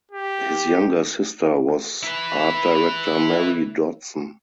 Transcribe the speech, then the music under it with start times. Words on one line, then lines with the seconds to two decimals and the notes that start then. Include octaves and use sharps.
His younger sister was art director Mary Dodson.
0.11 G4
2.03 E4 B4